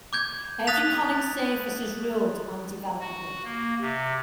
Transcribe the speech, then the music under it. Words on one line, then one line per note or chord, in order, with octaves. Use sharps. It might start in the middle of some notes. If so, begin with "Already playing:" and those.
Every conic surface is ruled and developable.
D6 G6 G#6
D#6 F#6 A6 B6 F7
F#4
A#3
C3